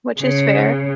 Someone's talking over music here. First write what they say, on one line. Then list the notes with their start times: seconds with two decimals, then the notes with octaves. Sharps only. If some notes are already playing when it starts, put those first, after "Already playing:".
which is fair.
0.20 C#3